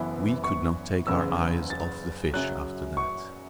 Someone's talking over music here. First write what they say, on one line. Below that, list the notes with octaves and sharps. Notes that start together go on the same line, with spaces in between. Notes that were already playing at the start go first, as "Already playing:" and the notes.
We could not take our eyes off the fish after that.
Already playing: F#1 F#2 E3 B3 E4
C#6
F#1 E2 C#3 E6
A6
F#2 C#3 F#3 F#6
C#6